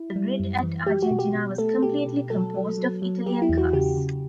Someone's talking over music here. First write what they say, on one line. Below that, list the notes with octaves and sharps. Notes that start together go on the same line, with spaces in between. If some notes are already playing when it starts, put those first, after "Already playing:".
The grid at Argentina was completely composed of Italian cars.
Already playing: E4
G3
F#2
E3
F#3 G4
F#4
B2
G4
B2
A3 A4
B2 G4
B2
F#3 A4
F#3
F#3
F#3
F#3 G4
E4
E2
F#4
C#3 G4
C#3